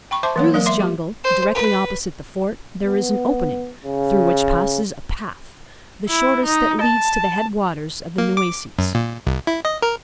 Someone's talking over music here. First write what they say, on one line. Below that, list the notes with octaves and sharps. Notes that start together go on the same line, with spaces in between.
Through this jungle, directly opposite the Fort, there is an opening, through which passes a path--the shortest that leads to the head waters of the Nueces.
G5 B5 C#6
C5 E5 A5 C6 D6
E3 F#3 A#3 B3 C#5
F#3 G#3 A#3 A#4
E5 C6 D6
G4
C5
B4
B3
C#3
E4
D#4
A5
A#3
D6
F#2
A#2
C2
E4
D#5
A#4